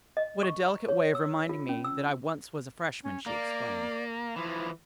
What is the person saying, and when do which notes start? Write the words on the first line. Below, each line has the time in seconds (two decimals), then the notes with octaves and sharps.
"What a delicate way of reminding me that I once was a freshman!" she exclaimed.
0.17 D#5
0.43 C#6
0.68 A#5
0.89 C#5
1.15 E6
1.49 F4
1.69 C#4
1.85 E6
3.03 C#4
3.26 A#3 D5
4.36 E3 F3 E4